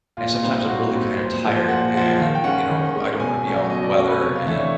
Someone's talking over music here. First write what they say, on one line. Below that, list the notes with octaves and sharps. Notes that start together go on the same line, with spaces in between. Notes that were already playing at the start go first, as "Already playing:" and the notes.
And, sometimes, I'm really, kinda, tired and, you know, I don't wanna be out in the weather, and,
A#2 F4
G3 C4 D#4
A#2 F#4
G3 C4 D#4
A#2 C5
F3 G#3 C5
A#2 F#5
F3 G#3 F#5
D#3 F5
G5
G#3 C#4 F#5
D#3
G#3 C#4
B2 G#5
F#3 A3 C#4
B2 D#5
D5
F#3 A3 C#4 C#5
B4
C3 C#5
F5
E3 A3 D4 E5
C#5